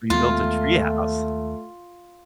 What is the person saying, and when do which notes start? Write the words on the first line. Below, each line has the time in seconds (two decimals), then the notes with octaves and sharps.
We built a tree house.
0.10 D#2 G#3 A3 B3 F4